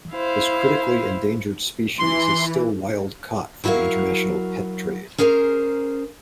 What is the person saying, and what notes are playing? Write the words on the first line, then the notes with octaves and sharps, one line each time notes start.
This critically endangered species is still wild-caught for the international pet trade.
E4 C5 F5
E3 C6
F#3 E4 F#4 A#4 F5
C#4 G#4 A#4 C5 F5 A#5